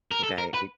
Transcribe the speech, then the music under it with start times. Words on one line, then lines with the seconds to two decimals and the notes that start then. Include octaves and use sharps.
okay? Y
0.11 A#4
0.23 A4
0.38 A#4
0.54 B4